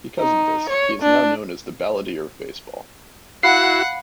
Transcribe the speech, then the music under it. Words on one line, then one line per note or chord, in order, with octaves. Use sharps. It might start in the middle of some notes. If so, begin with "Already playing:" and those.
Because of this, he is now known as "The Balladeer of Baseball".
D#4
C#5
D4
E4 F#4 F5 F#5 B5 C7